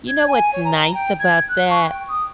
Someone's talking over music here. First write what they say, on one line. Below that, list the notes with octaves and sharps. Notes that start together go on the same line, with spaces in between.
you know, what's nice about that?
G#6
G#5
C#5
A#5
G5
G#6
F#6
C#6
G5
D#6